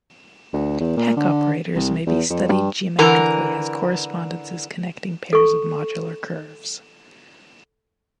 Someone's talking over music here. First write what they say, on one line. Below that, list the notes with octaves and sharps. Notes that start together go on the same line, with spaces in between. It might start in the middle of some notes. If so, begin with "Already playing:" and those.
Hecke operators may be studied geometrically, as correspondences connecting pairs of modular curves.
D2
E2
A#2
D3
C2
E2
F2
G2
D3 E3 A#4
A4 C#6